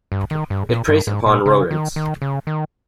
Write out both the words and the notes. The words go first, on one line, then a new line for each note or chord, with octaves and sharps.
It preys upon rodents.
G2
D#3
G2
A#2
G2
G#2
A#2
C#3
D#3
D#3
C#3
D#3